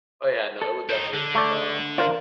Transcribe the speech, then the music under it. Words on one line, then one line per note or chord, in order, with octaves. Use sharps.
Oh, yeah, no, it would definitely become
A4
C4 D#4
D3
A3 D5
F4 A#4 C5 D5